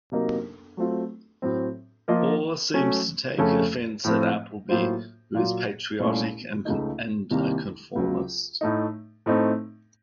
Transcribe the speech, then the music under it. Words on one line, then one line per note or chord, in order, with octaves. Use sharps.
Orr seems to take offense at Appleby, who is patriotic and a conformist.
C3 F#3 A#3 D#4 A#4
F#3 A3 C4 F4
A2 F#3 C4
F3 A#3 F4 A#4 D#5
F#3 A3 C#4
F2 C#3 A3 C#4 A4
A2 F3 A3 C4
A2 F#3 A#3 F4 C5
A#2 F#3 A#3 F4
C2 A#2 A3 C#4
C#2 C#3 A3 D#4
C2 C3 D#3 A#3
C#2 C#3 F#3
A2 A3 D#4
A2 A3 C4 D#4